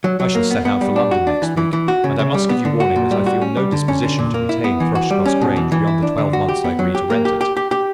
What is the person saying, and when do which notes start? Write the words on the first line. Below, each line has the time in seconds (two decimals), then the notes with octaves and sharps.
I shall set out for London next week; and I must give you warning that I feel no disposition to retain Thrushcross Grange beyond the twelve months I agreed to rent it.
0.04 F#3
0.20 F#3
0.35 A#3
0.51 B3
0.65 B3
0.81 G3
0.96 D4
1.11 F#4
1.27 D4
1.42 E3
1.57 E3
1.73 E3
1.88 F#4
2.04 C#3
2.19 C#3
2.34 G3
2.49 B3
2.65 D3
2.80 F#4
2.96 A#2
3.11 G3
3.26 F#4
3.42 C#4
3.57 G3
3.72 D3
3.88 C#4
4.03 D3
4.19 A#2
4.34 A#3
4.49 E4
4.64 B3
4.80 E3
4.95 F#4
5.10 G3
5.26 C#4
5.41 B2
5.56 E3
5.72 E3
5.87 E4
6.02 D4
6.18 D3
6.33 F#4
6.49 G4
6.64 B3
6.79 F#3
6.95 G4
7.10 A#3
7.25 G4
7.41 G4
7.57 G4
7.71 G4